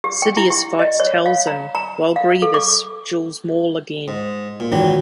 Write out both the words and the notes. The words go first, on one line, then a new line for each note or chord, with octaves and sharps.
Sidious fights Talzin while Grievous duels Maul again.
G4
G5
E4
G4
D#5
C#5
F5
A#5
A#5
F5
A4
D6
G#2
A#2
G#1 E3 F#3 G4